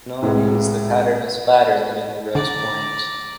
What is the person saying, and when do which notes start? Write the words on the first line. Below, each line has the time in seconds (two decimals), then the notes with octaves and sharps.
In all these the pattern is flatter than in the rose-point.
0.22 C2 A2 G#3 B4
2.35 D3 D5 A#5